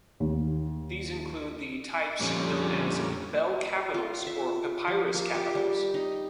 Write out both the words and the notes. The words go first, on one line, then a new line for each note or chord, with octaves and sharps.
These include the types known as "bell capitals" or "papyrus capitals".
D#2
F2 A#2 D3 G3 C#4
F4
E5
F3
A#3
G4
G3
D#4